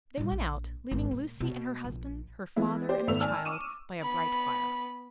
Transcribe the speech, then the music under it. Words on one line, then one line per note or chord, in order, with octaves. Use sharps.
They went out, leaving Lucie, and her husband, her father, and the child, by a bright fire.
A2 G3
A#1
G#1
A#2
B2
A#1
E3 G#3 B3 E4
G4 C5 D5
G#1 A3 B3 E6 F7
D5 G#5 A5 E6 F6
C#6 D6 D#7 E7
B3 B5